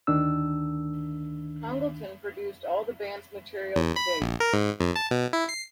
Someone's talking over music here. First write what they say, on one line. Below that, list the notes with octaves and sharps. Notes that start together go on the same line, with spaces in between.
Congleton produced all the band's material to date.
D2 D#3 D4 E6
E2
B5
A#1
A#4
G#2
F2
A5
B2
E4
C7